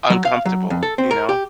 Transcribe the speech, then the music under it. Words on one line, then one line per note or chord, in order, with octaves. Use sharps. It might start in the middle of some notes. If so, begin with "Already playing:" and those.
uncomfortable, you know?
F#3
F5
F#3
F2
A4
C4
A#4
G4